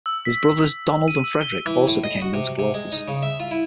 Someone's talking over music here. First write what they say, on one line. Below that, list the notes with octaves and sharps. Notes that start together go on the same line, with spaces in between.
His brothers Donald and Frederick also became notable authors.
E6
B6
D#7
E6
G7
E3
A2
D#5
F#4
C3
C3
G#3
D#4
C#3
E5
F4
E4